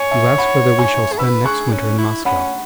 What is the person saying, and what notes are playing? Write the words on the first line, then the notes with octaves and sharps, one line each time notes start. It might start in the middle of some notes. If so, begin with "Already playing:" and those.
You ask whether we shall spend next winter in Moscow.
Already playing: C#5 G#5 C#6
E5 G#5
F#5 B5
G#5 C#6
G#4
B4 B5 E6
G#4 C#6 F#6
C#4
E4
C#4 F#5 B5